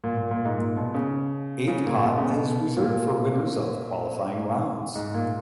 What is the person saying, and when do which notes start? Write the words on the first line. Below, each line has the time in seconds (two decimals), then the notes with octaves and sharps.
Eighth pot is reserved for winners of qualifying rounds.
0.04 A#2
0.17 A#2
0.31 A#2
0.45 G#2
0.58 A#2
0.77 B2
0.94 C#3
1.67 C#3
1.86 A#2
2.05 B2
2.18 C#3
2.30 B2
2.77 A#2
4.95 G#2
5.14 A#2